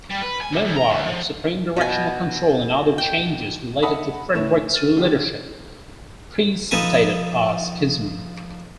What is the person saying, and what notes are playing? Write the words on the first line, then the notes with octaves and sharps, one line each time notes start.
Meanwhile, Supreme Directional Control and other changes related to Frederick's leadership precipitated a schism.
G3
B4
G#5
C3
F2
A#5
D2
F3
B2 G#5
G5
D#5 E5 F#5 A5 B5 D#6
A2 A3 E4 B4 C#5 E7
F6 A6 D#7
D3 F4 G4
F3 D#4 A4 B4 G#5